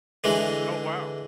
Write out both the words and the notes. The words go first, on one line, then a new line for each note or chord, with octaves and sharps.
Oh, wow.
D3 E3 G#3